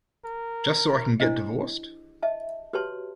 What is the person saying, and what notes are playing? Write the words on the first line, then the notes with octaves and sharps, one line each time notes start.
Just so I can get divorced?
A#4
D4 E4 C5 D#5
D#5 E5 A5
F#4 G4 B4 C#5 A5 C6